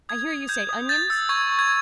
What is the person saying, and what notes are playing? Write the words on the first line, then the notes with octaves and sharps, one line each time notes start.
I hear you say onions?
D#6 G#6
D#6
G6 G#6
D#6
G6 A6
E6
C#6 G#6
C#6
G#6